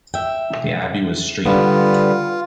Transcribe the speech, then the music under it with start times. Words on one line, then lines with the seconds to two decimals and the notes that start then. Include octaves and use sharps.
The abbey was St.
0.14 E5 G5
1.46 D3 G3 B3 F4